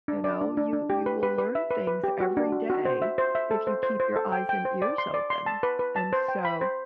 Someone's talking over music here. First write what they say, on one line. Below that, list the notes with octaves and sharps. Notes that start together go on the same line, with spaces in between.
You know, you you will learn things every day if you keep your eyes and ears open, and so
D4
D5
D4
D4
D4
G4
B4
B4
B4
E5
B4
B4
G4
F#4
D4
F#4
F#4
C5
E5
C5
E5
A4
C5
C5
C5
A4
G5
G5
C5
D5
C6
D5
C6
A5
B4
B4
A5
C5
G5
B5
C5